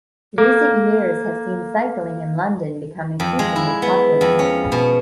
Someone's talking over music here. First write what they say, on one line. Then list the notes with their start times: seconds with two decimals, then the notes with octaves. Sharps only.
Recent years have seen cycling in London become increasingly popular.
0.38 A#3 A4
3.20 F2
3.39 G#3
3.56 E4
3.82 B3
4.21 F2
4.39 C#4
4.72 B2